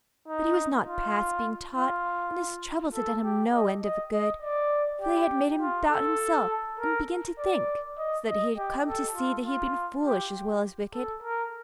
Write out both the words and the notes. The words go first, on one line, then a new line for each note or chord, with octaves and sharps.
But he was not past being taught, and his troubles had done him no end of good, for they had made him doubt himself, and begin to think, so that he had come to see that he had been foolish as well as wicked.
D#4
F4
F4
A4
G4
D#5
D#5
D#5
D5
G4
F4
A4
A#4
D5
D#5
D#5
G4
A4
F4
F4
G4
A4
A#4